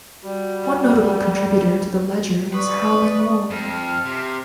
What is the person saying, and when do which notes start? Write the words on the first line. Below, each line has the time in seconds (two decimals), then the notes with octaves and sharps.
One notable contributor to the ledger was Howling Wolf.
0.24 G3 F#4
2.53 B4 D5 C#6 D#6
3.50 F2 F6
4.05 C3